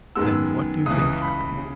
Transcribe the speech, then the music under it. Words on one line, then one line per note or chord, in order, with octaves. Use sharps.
Then what do you think happened?
F#2 D#3 G#3 B3 E6
C#2 C#3 E3 D#6
B5
C#3